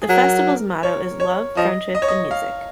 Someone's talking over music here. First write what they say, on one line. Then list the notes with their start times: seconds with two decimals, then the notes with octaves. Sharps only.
The festival's motto is "Love, Friendship, and Music".
0.02 G#4
0.09 F#3 A#4
0.83 C#5
1.20 C#5
1.57 F3 D#5
1.95 D#5
2.02 C#5
2.08 D#5
2.31 F5